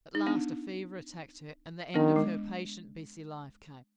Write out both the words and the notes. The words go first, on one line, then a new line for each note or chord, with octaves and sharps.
At last a fever attacked her and the end of her patient, busy life came.
D#4
B3 D4
D#3 B3 D4
G#3